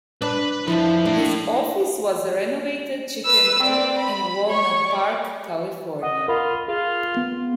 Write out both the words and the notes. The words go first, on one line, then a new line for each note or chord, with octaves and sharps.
His office was a renovated chicken coop in Walnut Park, California.
D4 B4 B5
F2 F3 D4 E4 B4
A2 D4
B4 E6
C4 D5
B5
C#5 C#6
D5
D#5 F#5
F4 A#4 B5
F4 G#4
B3